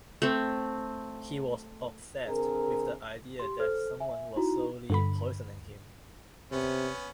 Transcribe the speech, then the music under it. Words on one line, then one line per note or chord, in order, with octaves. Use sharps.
He was obsessed with the idea that someone was slowly poisoning him.
A3 C4
D3 C4 G#4 A#4
G4 C6
A4 C5 F6
E5 G#5
D#4 E4 F#4 A#5
G2 D3 B5
C3 B3 C#4